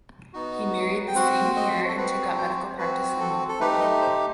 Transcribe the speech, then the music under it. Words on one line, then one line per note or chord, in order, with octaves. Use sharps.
He married the same year and took up medical practice in Liverpool.
B3 D#4 F#4
G5
C4 F#4 F#5
D#5
A4
C4 F#4 B4
C5
C4 F#4 B4
A4
A4
A3 D#4 G4 B4
D#5
C5